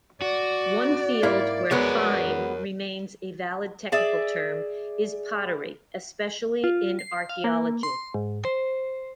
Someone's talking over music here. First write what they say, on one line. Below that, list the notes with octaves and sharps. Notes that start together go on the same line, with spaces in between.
One field where "fine" remains a valid technical term is pottery, especially in archaeology.
F#4 D5
G#2 A#3 E4
F#3 G#3 B3 A#4 C#5
G#4 D5 E5
F4
C7
F5
A#3
C6
G#2
C5